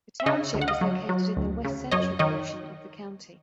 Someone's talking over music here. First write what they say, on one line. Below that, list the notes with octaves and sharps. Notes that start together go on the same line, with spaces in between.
The township is located in the west central portion of the county.
E5
C#3 C#5 D#5
D2
F#5
D#5 F5
F#3
F#3
D2
C#3
F#2 C#5 D#5
D#3 C#5 D#5